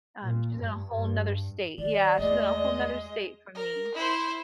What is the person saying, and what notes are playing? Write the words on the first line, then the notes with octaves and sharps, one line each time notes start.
Um, she's in a whole 'nother state. Yeah, she's in a whole 'nother state from me.
A#2
G2
G2
D#3 D5
E2 G#3 A3 D#5
A#4
E4 C5